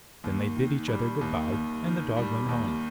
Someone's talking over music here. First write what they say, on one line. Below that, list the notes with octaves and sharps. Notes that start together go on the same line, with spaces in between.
Then they bid each other good-by and the Dog went home.
D#2
D#3
G3
D#2
D#2
D#3
G3
D#2